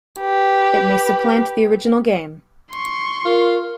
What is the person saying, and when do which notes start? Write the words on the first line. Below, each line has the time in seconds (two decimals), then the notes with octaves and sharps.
It may supplant the original game.
0.20 G4 B4
2.71 C6 C#6
3.25 F4 A#4